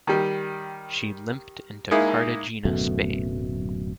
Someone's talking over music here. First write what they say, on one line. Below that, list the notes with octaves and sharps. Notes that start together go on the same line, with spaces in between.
She limped into Cartagena Spain.
D#3 G3
G#3 A#3 D#4 E4
D1 F#2 B2 A3